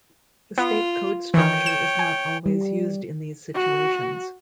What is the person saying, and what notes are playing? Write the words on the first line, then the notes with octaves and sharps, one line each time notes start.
The state code structure is not always used in these situations.
B3 F4
D#3 E3 C#5 G5
E7
G#5
G3
F#4